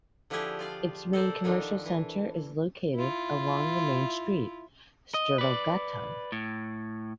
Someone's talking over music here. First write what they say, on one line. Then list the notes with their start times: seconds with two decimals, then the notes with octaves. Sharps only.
Its main commercial center is located along the main street, Storgatan.
0.30 D3 F3 D4 E4 G4 G#4
0.59 F4 D5 F5
1.13 A4 A#4 C5 D5
1.44 D3 D#3 F3 D4
1.86 E3
2.95 E4 F4
5.14 D#5
5.38 B4 D5
6.32 A2